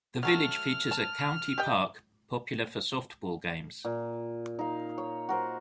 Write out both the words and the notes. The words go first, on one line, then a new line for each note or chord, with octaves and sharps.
The village features a county park popular for softball games.
F#3 A3 A4 F6
A5
G4 D#5 G5
A#2
D#4 F5
C#5
F#4 A#4 C5